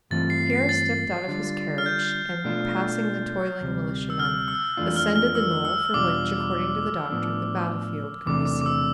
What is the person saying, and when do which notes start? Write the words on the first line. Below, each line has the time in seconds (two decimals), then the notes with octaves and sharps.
Pierre stepped out of his carriage and, passing the toiling militiamen, ascended the knoll from which, according to the doctor, the battlefield could be seen.
0.11 G2 E3 A3 C4 F4 A6
0.30 C7
0.50 C7
0.69 A6
1.28 D3 G3 D4 F4
1.78 F6
1.86 G6
2.44 B2 A3 D4 F4
3.61 D2 C3 G3
4.10 E6
4.19 F6
4.48 E6
4.77 F2 E3 A3 D4 F4
4.96 F6
5.16 F6
5.35 E6
5.65 E6
5.94 E2 B2 G3 D4 F4 D6
7.10 A2 F3 B3 D4
8.26 E2 C3 E3 A3 D4 D6
8.45 D6
8.62 D6
8.66 E6